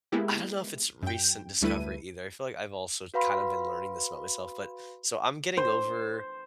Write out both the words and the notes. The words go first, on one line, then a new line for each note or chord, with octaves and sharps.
I don't know if it's recent discovery either. I feel like I've also kind of been learning this about myself. But, so I'm getting over
G#3 A#3 B3 E4 G4
F#2 G5
D2 G3 A3 E4 B4 D#7
F#4 B4 F5 B5 C6
C5